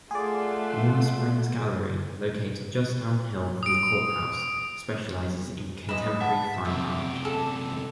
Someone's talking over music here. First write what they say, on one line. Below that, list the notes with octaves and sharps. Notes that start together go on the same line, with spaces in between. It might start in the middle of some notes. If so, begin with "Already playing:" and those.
Warm Springs Gallery, located just downhill from the courthouse, specializes in contemporary fine art.
A3 F4 G#4 D5 F#5 C6
D#6 D7
G#3 B4 D#5 E7
E5 F#5 A5
F#2 C3 E5 D6
A4